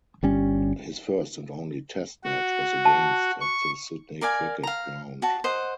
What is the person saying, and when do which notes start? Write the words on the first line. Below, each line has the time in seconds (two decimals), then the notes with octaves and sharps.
His first and only test match was against at the Sydney Cricket Ground.
0.23 G1 G3 C#4
2.24 F#4
2.85 A5
3.41 C#6
4.21 A#4 D5 F5 G#5
4.63 F5 A#5
5.22 F#4 A5
5.44 C5 D#5 F#5